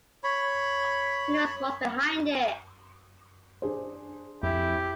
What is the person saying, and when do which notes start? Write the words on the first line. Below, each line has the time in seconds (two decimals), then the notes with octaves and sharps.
Who knows what's behind it.
0.24 C#5 B5
3.62 D4 G#4 C5
4.43 F2 E4 G4